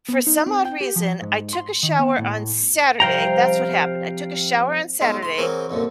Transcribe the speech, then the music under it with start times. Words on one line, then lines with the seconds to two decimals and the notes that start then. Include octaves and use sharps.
for some odd reason, I took a shower on Saturday- that's what happened- I took a shower on Saturday,
0.09 B3
0.27 D#4
0.46 C4
0.65 G5
0.81 G4
0.96 F3
1.21 G#2
1.53 C6
1.83 D#3
1.99 B3
2.18 A2
3.00 C3 F3 G3 F5 G5 A#5
5.01 B1 G#3 E4 F4
5.23 C6 D#6
5.38 E3 F#3 C4 G#4 A#4 B4
5.70 C2 F#2 A#2 D3